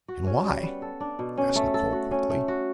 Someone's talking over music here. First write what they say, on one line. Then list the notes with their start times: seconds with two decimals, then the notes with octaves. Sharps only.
"And why?" asked Nicholl quickly.
0.08 F#4
0.27 C#4
0.45 G3
0.63 B3
0.82 A4
1.00 D4
1.19 B2
1.37 C#4
1.56 A3
1.74 A4
1.92 F#4
2.11 C#4
2.30 A3
2.48 F#4